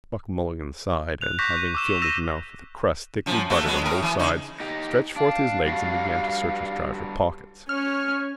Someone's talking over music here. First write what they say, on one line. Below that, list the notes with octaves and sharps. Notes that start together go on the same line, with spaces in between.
Buck Mulligan sighed and, having filled his mouth with a crust thickly buttered on both sides, stretched forth his legs and began to search his trouser pockets.
F#6 F7
C#6 D6 F#6 G6 A#6 B6
D#7
D6 E6 E7
E6 A#6 D#7 E7
F#2 F3
A3 A#3 F#4
F#3 G#3 B3
A2 A#4
E3
C#3 D#4
D#4 G4
D4 F5
G3 D4 F#4
C#4 C#5 F6